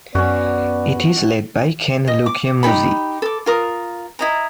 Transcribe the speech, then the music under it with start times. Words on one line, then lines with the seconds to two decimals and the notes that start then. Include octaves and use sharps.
It is led by Ken Lukyamuzi.
0.15 F#2 B3 C#4 F#4 D5
2.07 D#5
2.26 D6
2.63 D#4 G4 A4 B5
3.22 A4 D6
3.46 F4 A#4 D#6
4.19 E4 D#5 A#5